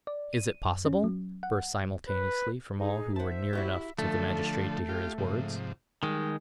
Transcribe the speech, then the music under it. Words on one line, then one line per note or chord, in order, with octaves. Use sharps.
"Is it possible?" burst simultaneously from all who were near enough to the magistrate to hear his words.
D5
D#7
F#2
C#4
F#3
F#5
B4
D#4 G#4
C5 E5 F#5 A5
E4 F#4 G4
D3 F3 A3 A4
F4 G4
G#2 C3 F3
D#3 G3 G#3